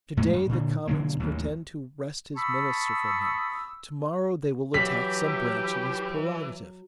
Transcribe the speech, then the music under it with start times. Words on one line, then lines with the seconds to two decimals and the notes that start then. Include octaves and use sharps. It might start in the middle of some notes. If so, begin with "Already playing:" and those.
To-day the commons pretend to wrest his minister from him: to-morrow they will attack some branch of his prerogative.
0.17 E2 A2 G#3 A3
0.33 F#2
0.49 A#2 D3
0.87 B2 D3 F#3 A#3
1.19 A1 D#2 D#3 F#3
2.37 A5 B5 C#6 D#6 E6
4.74 E3 F#3 G4 B6